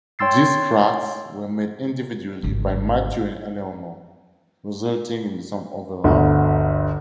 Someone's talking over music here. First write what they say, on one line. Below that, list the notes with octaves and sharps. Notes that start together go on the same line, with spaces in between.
These tracks were made individually by Mathew and Eleanor, resulting in some overlap.
C#5 G5 C6 E6 A6 C7
G#1 D3
G1 D2